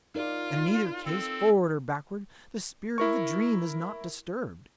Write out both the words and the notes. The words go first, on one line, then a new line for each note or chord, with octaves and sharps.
And in either case, forward or backward, the spirit of the dream is not disturbed.
D#4 F4 A#4 D5
C4 A4
E4 A#4 C#6